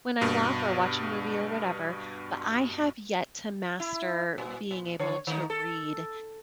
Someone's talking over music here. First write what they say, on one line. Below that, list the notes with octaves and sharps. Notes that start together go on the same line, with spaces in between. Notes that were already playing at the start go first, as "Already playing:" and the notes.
when I walk or watch a movie, or whatever, but I have yet to master being able to read
G2 B2
E4
A#2
A#2
D3 C#5
D#3 A3 D#4
A4